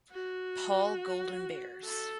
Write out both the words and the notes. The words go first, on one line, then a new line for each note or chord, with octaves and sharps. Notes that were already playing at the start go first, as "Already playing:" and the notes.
Paul Golden Bears.
F#4
A4